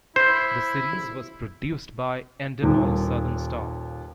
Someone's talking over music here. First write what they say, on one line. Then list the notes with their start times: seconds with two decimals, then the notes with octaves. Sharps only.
The series was produced by Endemol Southern Star.
0.16 E4 C5
2.63 D#1 D#2